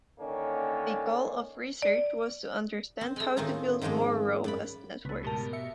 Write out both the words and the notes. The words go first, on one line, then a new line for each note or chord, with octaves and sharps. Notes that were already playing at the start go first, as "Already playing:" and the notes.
The goal of research was to understand how to build more robust networks.
D3 D#3 A#3 C#4
D5
C4
G#3 A3
A2 D#3 C4 C#4 D#4 F4
G#2 D#3 F3 G#3 A#3
F#2 D5 B5
C#2 A3 B3
G#2 B2 G4 A#4 A5
E5 C#7